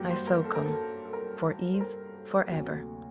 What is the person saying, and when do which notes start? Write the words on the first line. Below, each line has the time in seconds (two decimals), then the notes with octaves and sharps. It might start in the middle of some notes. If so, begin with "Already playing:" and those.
Isokon: For Ease, For Ever.
Already playing: G2 F#3 A#3 F#4 G4
0.10 C5
0.27 A#4
0.44 A4
0.55 A#4
0.65 A4
1.05 A4
1.13 A#4
1.73 C5
1.80 A#4
2.15 A4
2.49 D2 C3 F#3 A#3 F#4